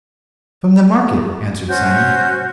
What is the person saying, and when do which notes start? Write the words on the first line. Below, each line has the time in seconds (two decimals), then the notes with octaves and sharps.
'From the market,' answered Simon.
1.67 C#4 F#4 C5 G6